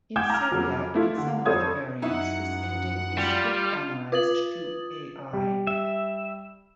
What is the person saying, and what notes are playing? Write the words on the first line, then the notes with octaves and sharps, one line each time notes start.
In Syriac and some other variants this ending is diphthongized to "-ai".
F#5 G5 D6 G6 G#6 E7
A#5 E6 F6
F2 C#3 F#3
A3 E4 F4
D3
F2 A4 C5 C#5 D#6 G#6
F#2 F#3 D#4 E4 F#5
G3 F4
F4 B4 D#6 A6 F#7
G3
E5